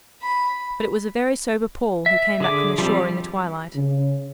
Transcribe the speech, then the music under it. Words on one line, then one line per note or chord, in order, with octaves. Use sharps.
But it was a very sober Paul who came back from the shore in the twilight.
B5
E5
D3 G#4 D6
F3 G3 C4
C#3